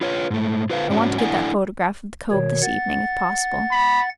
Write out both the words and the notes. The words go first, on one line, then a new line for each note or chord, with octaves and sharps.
I want to get that photograph of the Cove this evening, if possible.
F4 B4 C#5
G#2 A3
F4 A4 B4 C5 D5 F5
G#2 C#4 D4 F#4
D4 E4 A4 D5 F#5 G#5
B2 D#3 C#5
F#5 A6
B5